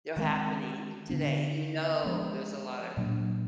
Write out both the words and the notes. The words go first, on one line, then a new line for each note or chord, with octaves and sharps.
They're happening today. You know there's a lotta
D#3 G#3 C4
D3 F#3 B3 D4
F3 G#3 B3 D4
A#2 F#3 A#3 D4